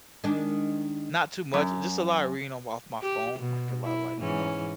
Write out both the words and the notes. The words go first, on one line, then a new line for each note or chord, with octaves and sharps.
not too much. Just a lot of reading on off my phone, like, a lot of like, you know,
D#3 G#3 D4
F#2
G4
B2
E4
G#2 E3 C#4